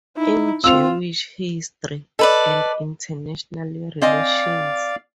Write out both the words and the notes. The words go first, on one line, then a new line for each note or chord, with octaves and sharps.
In Jewish History and International Relations.
D#4 E4
C4 F4 E6 F7
A4 B4 D5 D#5
C4 D5 D#5 F5 G#5